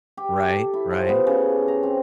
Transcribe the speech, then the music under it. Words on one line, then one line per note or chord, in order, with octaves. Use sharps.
Right, right.
G4
A4
E4
F3
B3
C#3
A#5
C4